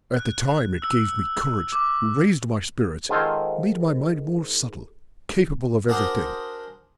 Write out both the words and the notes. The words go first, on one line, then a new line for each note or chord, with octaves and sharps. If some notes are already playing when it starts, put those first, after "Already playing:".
At the time it gave me courage, raised my spirits, made my mind more subtle, capable of everything.
F#6
E6
D6
G#2 D#3 F4 A4 C5 G#5
D4 F#4 G#4 A#4 C5